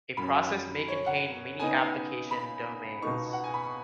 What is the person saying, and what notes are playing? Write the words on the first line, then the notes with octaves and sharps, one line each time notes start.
A process may contain many application domains.
F#2 F#3 C#4 B5
C#5
F#5
C#3 B3 D#4 G#5
B5
C#2 B2 B3 D#4 C#6
F#5
G#5
B5
C#6